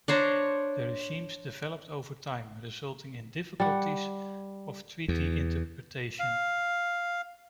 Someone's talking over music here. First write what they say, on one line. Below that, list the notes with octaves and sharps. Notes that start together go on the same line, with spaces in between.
The regimes developed over time, resulting in difficulties of treaty-interpretation.
D4 C5 C#5 A#5
G3 F#5
E2
F5